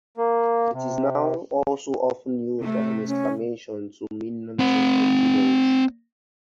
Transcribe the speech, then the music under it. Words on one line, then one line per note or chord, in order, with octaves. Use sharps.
It is now also often used as an exclamation to mean nonsense or gibberish.
A#3
C3
C3 A3
C#4
C4 F#5